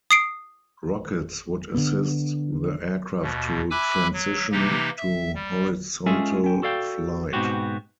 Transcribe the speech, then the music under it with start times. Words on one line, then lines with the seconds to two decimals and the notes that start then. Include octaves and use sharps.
Rockets would assist the aircraft to transition to horizontal flight.
0.11 D#6 C7 D7
1.75 D3 B3
3.22 D#2 B2
3.71 E5 G#5 B5 D6 E6 F#6
4.13 F#3
4.52 C3 E3 A#3 D#4 G4
4.97 E5
5.35 G3
6.06 G#3 C#4 F4 G#4 A4 E5
6.44 C#4 G5
6.63 F#4 A4 D5 F5 G5
7.33 G#2 B2 B3 C4 F#4 G4